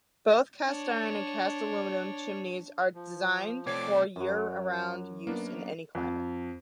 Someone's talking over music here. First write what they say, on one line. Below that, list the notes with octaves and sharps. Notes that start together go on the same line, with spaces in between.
Both cast-iron and cast-aluminium chimineas are designed for year-around use in any climate.
D4 C#5
F3
C3 A3 C#5 D5 D6
F#2 F#3
A#3 B3 D4
F2